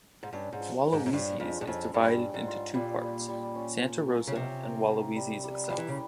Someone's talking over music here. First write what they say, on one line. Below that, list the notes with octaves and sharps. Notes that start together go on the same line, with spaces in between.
Hualahuises is divided into two parts: Santa Rosa and Hualahuises itself.
G#2
G2 C#4
G#2
F3
F3
G#2
G#2
G2 C#4
F2 G#3
G2
F2 C#4
G2 G3
G3
G#2
F4
A#2 G3
G3
G3
C#4
A#4
F4
C#3
C3 C#4
A#4
A#4
G3
G3
F3 G3
E3
C#3